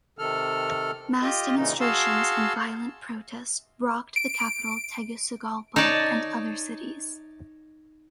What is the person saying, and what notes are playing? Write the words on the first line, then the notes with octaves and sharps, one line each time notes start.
Mass demonstrations and violent protests rocked the capital Tegucigalpa and other cities.
C3 D#3 A4 F6
F4 G4 D#5
A#2 C#3 E3 D#4
F#4 G#4 F5 A5 C6 E6
D7
D#4 C#5 D5 A5